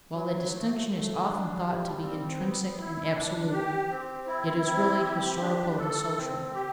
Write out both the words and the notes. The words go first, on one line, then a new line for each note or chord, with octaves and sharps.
While the distinction is often thought to be intrinsic and absolute, it is really historical and social.
F#3
A3
A3
D4
G3
C4
B3
E4
D4
G4
C4
E4
C4
G4
D4
A4
C4
G4